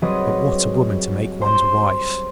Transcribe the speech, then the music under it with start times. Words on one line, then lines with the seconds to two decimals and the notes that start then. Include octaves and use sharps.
But what a woman to make ones wife!
0.02 F#3 G3 C4 G#4 B4 D#5
1.41 C5